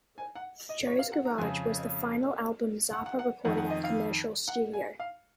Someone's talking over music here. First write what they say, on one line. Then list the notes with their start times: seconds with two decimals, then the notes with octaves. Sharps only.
"Joe's Garage" was the final album Zappa recorded at a commercial studio.
0.18 G#5
0.35 F#5
0.69 D#5
0.87 C#5
0.99 F5
1.12 F#5
1.25 A#5
1.38 F2 C#3 G#5
2.93 F#5
3.06 F#5
3.19 F#5
3.45 F2 D#3 F#5
3.57 F#5
3.70 D#5
3.84 F5
4.48 F#5
4.73 G#5
5.00 F5